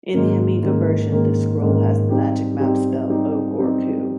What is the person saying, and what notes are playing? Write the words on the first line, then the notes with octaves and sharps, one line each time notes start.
In the Amiga version, this scroll has the magic map spell "Oh Gor Ku".
G#2 D#3 A#3 C#4
G#2 D#3 A#3 C#4
G#2 D#3 A#3 C#4
G#2 D#3 A#3 C#4
G3 C4 D#4 G4
G3 C4 D#4 G4
G3 C4 D#4 G4
G3 C4 D#4 G4